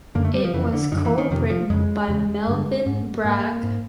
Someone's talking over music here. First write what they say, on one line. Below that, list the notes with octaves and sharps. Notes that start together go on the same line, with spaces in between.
It was co written by Melvyn Bragg.
F#2 D3 A#3
A3
G3
F3
F2 C#3 E3
D3
F#2 D3 D#3
E3
D#3
F2 C3 D#3
F3
F2 C#3 G#3
E2 C#3
G2 D3
G#2
G#2 A#3
G#2